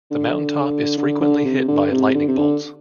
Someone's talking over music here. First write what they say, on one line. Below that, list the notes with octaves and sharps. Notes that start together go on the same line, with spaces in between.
The mountain top is frequently hit by lightning bolts.
D3
D3
D3
C3
D3
C3
D3
C3
D3